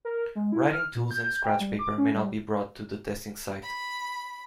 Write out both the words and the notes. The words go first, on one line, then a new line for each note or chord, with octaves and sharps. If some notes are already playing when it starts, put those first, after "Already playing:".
Writing tools and scratch paper may not be brought to the testing site.
A#4
G#3
E4
F6
A#2
G6
G5
G3
D6
C#4
G3
B5